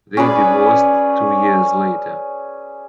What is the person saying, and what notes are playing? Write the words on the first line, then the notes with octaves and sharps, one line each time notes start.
They divorced two years later.
C#4 G#4 B4 D5